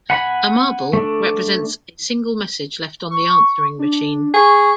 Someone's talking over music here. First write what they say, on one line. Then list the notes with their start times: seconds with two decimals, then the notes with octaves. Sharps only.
A marble represents a single message left on the answering machine.
0.10 F#5 G#5 B5
0.93 A3 D4
3.10 C#6
3.79 D4
4.34 G#4 C#6